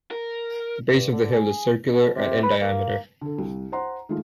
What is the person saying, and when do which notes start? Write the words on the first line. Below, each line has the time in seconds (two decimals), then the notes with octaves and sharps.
The base of the hill is circular and in diameter.
0.11 A#4
0.93 G2
1.12 D3
1.33 G#4
1.93 B2
2.15 C3
2.43 B4
2.61 A#3
3.21 D3 A4
3.38 C2
3.72 C5 F#5 A#5 C6
4.09 D#3 G#3 A3 F4